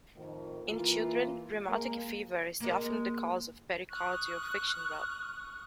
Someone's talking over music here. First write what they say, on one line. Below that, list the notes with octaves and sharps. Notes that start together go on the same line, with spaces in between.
In children, rheumatic fever is often the cause of pericardial friction rub.
F2 A2 D#3
E3 A#3 E4 F4
G#3 A#3
G#3 A#3
C#6 D#6 F6 F#6